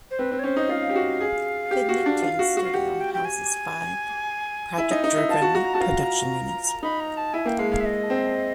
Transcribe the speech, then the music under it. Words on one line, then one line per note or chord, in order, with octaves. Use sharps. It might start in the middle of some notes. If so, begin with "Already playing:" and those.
The Nicktoons studio houses five, project driven production units.
C5
C4 B4
C4
C#5
C#4 C5
D#4
F4 F5
G4
F#4
G#4
G4
F#4
D4
F4
F#4
F#4
F5
G4 F#5
G5
G5
G#5
E4
D#4
D#4
E4
F4 A5
F#4
F#4 A#5
F#4 A5
F4 A#5
D#4 B5
A#5
A5
E4 G#5
A#3 G5
G#3 F5
G#3 F5
E5
D#5
C4